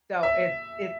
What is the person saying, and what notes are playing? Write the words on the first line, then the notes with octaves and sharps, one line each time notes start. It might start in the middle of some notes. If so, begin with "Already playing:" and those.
So it's it's
E5